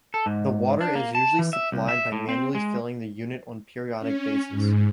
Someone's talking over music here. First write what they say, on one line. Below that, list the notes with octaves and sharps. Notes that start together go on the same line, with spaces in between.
The water is usually supplied by manually filling the unit on a periodic basis.
A4
G#2
D4
A#3
A5
E3
E5
C2
E5
A2
C4
G#3
C#4
G#2